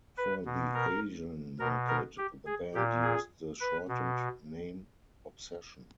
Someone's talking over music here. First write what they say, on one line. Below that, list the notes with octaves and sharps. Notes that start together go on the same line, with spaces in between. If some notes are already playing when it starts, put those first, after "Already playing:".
For the Asian market the band used the shortened name, Obsession.
B4
B2
A#4
B2 A#4
A#4
G4
G#4
A#2 G4
G#4
B4
B2